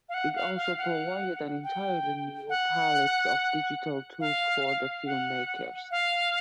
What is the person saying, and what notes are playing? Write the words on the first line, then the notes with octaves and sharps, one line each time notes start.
It also provided an entirely new palette of digital tools for the film-makers.
F5
F#5
F5
F5
F#5
G5
F#5
F5
F#5
F5